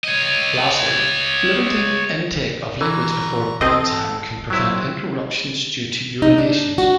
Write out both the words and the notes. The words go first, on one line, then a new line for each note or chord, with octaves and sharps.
Lastly, limiting intake of liquids before bedtime can prevent interruptions due to urinations.
C#5 D#5
E3 A#5 C#6
C4 A4 D#5
F#3 C4 E4
D#4
D4
F#4